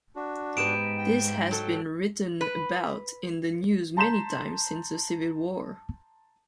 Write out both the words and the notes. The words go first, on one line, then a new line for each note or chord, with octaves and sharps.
This has been written about in the news many times since the Civil War.
D4 F#4
G#2 B3 G4 B4 D7 E7
G5
F#3 A4
B4
A5 A#5 C6 G6 B6 E7